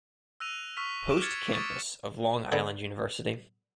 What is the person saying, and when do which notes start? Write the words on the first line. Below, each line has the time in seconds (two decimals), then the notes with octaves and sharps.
Post campus of Long Island University.
0.40 E6 F#6 A#6 D#7 F7
0.77 C#6 E6 F6 B6 F7
1.10 D6 E6 D7 E7
1.22 D6 F6 G#6 A6 C#7
1.53 C#6 D#6 G#6 A6 B6 D7
2.52 D3 B3